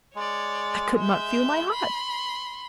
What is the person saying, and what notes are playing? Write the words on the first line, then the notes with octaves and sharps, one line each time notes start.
I could not feel my heart.
G#3 C#5 D5
E5 G6
B5 C6